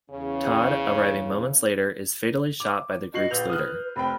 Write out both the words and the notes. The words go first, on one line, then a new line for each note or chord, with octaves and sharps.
Todd, arriving moments later, is fatally shot by the group's leader.
E2 C#3 C#4
D6
F#4 D#5 C7 F#7
A#1 B4 G6 F7
D#6 F6 F#6
F1 C4 G5 B5